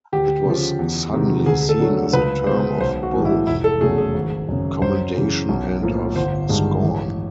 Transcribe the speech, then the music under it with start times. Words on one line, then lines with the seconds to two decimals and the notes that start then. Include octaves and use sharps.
It was suddenly seen as a term of both commendation and of scorn.
0.12 D2 G4
0.45 C#3 F3
0.79 E2
1.13 C3 D#3 G#3
1.46 D2 G#4
1.69 A4
1.80 D3 F#3 A3
2.13 C#2 B4
2.47 B2 G#3 C5
2.81 B1 C5
3.03 F#4
3.14 A2 E3 G#3
3.25 E4
3.47 F1 E4
3.64 A4
3.81 E2 C#3 F#3 A3 G#4
3.98 G#4
4.14 G#1
4.49 F#2 C#3
4.82 F#2 C5
5.16 C#3 E3
5.48 B1
5.82 A2 F3 A#3
6.15 G1 C5
6.49 G2 D#3 G#3
6.82 A1